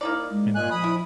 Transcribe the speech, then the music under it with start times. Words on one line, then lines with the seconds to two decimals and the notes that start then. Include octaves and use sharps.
you know,
0.01 A#3 D#4 E4 D5
0.30 G#3
0.55 A#2 D#5 G#5 F#6
0.70 F3 B5 D#6
0.84 E4